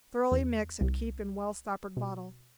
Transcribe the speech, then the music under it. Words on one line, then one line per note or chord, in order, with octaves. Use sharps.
Thoroughly mix and keep in well stoppered bottle.
E2
C2
B2